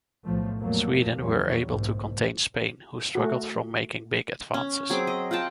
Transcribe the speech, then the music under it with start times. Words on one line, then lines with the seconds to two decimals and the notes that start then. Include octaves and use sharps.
Sweden were able to contain Spain who struggled from making big advances.
0.24 B1 A2 F3 A3
0.60 F2 A#2 F#3 A3 A#3
1.17 E2 F#3 G3 C#4
1.67 F#1 B1 G#2
3.15 A3 F#4
4.54 C#4
4.90 F#3 C4 G#4 D6
5.07 D#5
5.31 F4 F#5 G5 A5